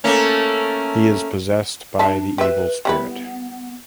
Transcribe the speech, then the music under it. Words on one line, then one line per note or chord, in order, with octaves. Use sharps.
He is possessed by the evil spirit.
A3 A#3 C#4
D4 B4 E5 A5
G4 B4 E5
G3 B3 E4 B4